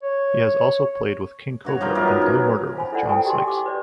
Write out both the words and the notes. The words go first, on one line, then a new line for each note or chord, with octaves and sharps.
He has also played with King Kobra and Blue Murder with John Sykes.
C#5
G2 F#4 C#5
F3 G3 D#4 A#4
F#2 B3 A#4
C#6
C#4
C5 F5 G#5 B5
E4 A4 B4 C#5 D5 F#5
E4 G5 G#5 A#5 D#6
F#4 G4 D#5 C6
D6
B4 C#5 D5